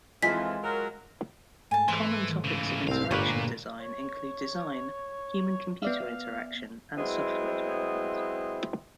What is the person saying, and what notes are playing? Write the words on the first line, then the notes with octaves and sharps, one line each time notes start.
Common topics of interaction design include design, human-computer interaction, and software development.
F2 E3 G#3 F4 C5 B6
F#3 A#4
G#2 A3 G#5 A5
E3 C5
C#3 E3
C2 C4 F5
G1 A#2 G3 A#3 A#4 B4 C#5
C#5
B3 D5 E5 F5
F#3 G#3 B3 C4 E4